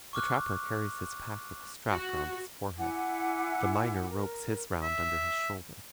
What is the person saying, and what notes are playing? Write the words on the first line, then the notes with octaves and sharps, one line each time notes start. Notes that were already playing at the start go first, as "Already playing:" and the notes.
The trapper carries his pack with a strap round his forehead. The miner ropes his round under his shoulders.
C#6 D6 F6 F#6
F#4
E4 F#5 G#5 D6
A#4
E5